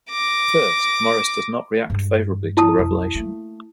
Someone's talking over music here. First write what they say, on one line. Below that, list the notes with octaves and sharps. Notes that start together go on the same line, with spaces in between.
At first, Maurice does not react favorably to the revelation.
D6 A#6
G2 G#3
E4 A5 D#6
B1 F2
A3 A#3